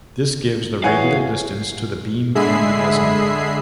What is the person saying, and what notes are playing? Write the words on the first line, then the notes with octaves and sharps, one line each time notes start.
This gives the radial distance to the beam and the azimuth.
E3 G#4 C#5 F5 F#5 G#5
D3 G#3 G#4 E5 B5 C7